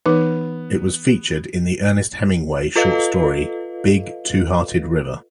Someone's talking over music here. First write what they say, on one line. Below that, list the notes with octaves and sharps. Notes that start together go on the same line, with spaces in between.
It was featured in the Ernest Hemingway short story "Big Two-Hearted River".
E3 B3 D#4
F4 A4 B4 D#5 F5